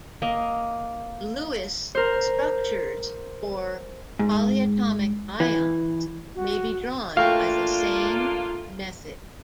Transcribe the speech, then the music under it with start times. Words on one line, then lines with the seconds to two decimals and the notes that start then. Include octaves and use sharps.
Lewis structures for polyatomic ions may be drawn by the same method.
0.22 A#3 D#5
1.95 A#4 C5
4.19 G#2
5.40 E3
6.35 F#4
7.17 A3 A#3 D4 F4 F#4 F5 G5